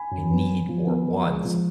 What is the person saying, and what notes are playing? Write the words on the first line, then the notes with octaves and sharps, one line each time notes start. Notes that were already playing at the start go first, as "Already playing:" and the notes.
I need or want,
Already playing: G#5 B5
F#2
B3
B3
F3
B3
F3
G#3
F3